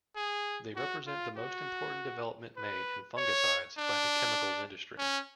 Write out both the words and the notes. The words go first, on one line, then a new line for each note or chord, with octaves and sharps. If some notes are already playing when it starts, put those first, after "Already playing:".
They represent the most important development made in fungicides by the chemicals industry.
G#4
F#4
F4
F#4
B4
C#5
D4
C#4